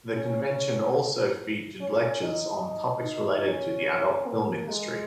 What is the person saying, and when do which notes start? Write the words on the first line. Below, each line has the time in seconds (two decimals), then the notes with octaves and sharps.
The convention also featured lectures on topics related to the adult film industry.
0.17 C#4
1.80 C#4
2.22 D#4
3.04 D#4
3.46 C#4
4.27 A#3
4.69 G#3